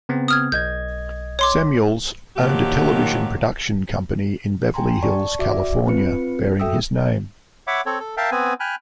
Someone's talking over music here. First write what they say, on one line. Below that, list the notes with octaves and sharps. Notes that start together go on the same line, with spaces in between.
Samuels owned a television production company in Beverly Hills, California bearing his name.
C#3 B3 C4
D#6 F6 G#6
B1 D#5 G6 G#6
C#5 C6 D6
A#2 D#3 F3 F#3 G4
G5 G#5 A#5 C6
D5 A5 C#6
F#4 D5 E5 D6
C4 F4 B4 C#7
F#4 A4 E5 G5 D#6 E6
C#5 E5 F#5 B5 D6
C4 A4 C#5
A4
A#4 E5 F5 G5 A5
B3 C4 B4 G#5
G5 G#5 B5 F6 F#6